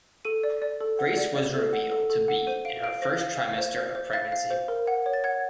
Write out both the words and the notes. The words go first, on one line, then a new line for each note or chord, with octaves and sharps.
Grace was revealed to be in her first trimester of pregnancy.
A4 D#7
D5
D5
A4
F#5
D5
D5
A4
F#5
A4
A4
F#5
C5 D#7
F5 D7
F5 D7
C5 A#6
F5
F5
C5
C5
C5
F5 A6
F5
C5
A#4
F#5
C#5
A6
F#5 G#6